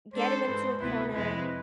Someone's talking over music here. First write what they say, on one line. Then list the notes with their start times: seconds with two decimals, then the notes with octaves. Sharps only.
get him into a corner,
0.13 G#3 D4 A4 C5
0.46 G#2 E3 G#3
0.79 D2 C3 E3 B3 E4 B4
1.12 F2 C3 G#3 C4 E4 B4